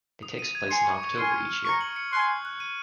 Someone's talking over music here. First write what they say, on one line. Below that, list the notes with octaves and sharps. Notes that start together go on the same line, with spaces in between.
It takes place in October each year.
D#6
D#7
G#6
G#5 C6 C#7
C#6
C#6
G#5 C6 F6
F6
F6
A#5 C#6 C#7
F#7
C#7
G#5 C6 F#6
F#6
F#6
D#7